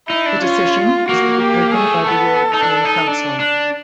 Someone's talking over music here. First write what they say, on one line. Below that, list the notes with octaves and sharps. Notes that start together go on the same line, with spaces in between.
The decision is to be taken by the European Council.
D#4 E4
D4
C#4 F4
A#3 F#4
G4
A3 G#4
B3 A4
D#4
D4
D#4
D4
D4